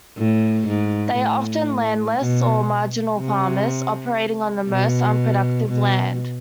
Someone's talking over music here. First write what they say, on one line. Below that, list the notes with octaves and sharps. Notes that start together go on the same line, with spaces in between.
They are often landless or marginal farmers operating on the most unproductive land.
A2
G#2
A2
B2
C3
B2
B2